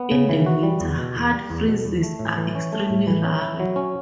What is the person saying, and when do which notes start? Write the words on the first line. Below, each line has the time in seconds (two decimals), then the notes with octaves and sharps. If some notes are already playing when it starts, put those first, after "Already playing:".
In the winter, hard freezes are extremely rare.
Already playing: B3
0.11 C#3
0.29 E3
0.46 F#4
0.63 G3
0.80 E2
0.98 B2
1.16 E2
1.33 G3
1.50 E2
1.68 B2
1.85 E2
2.03 A3
2.19 A2
2.37 E3
2.55 C#4
2.72 A3
2.90 A2
3.07 E3
3.24 C#4
3.42 E4
3.60 F#3
3.76 C#4